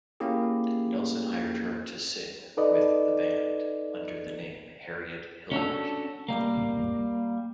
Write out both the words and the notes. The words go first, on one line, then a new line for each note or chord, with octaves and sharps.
Nelson hired her to sing with the band, under the name Harriet Hilliard.
A#3 C#4 E4 G4 G#4
D#4 A4 B4 D5 D#5
C#4 D4 F#4 A4
G3 A#3